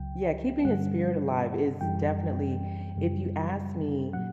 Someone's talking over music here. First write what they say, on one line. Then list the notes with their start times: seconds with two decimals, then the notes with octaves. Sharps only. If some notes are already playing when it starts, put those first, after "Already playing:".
Yeah, keeping his spirit alive is definitely If you ask me,
Already playing: C#2 C#3 F#3 G5
0.65 G2 D3 G3 F#5
1.81 F#2 E3 G3 G5
2.97 F#2 C#3 G3
4.13 A#2 F#3 F#5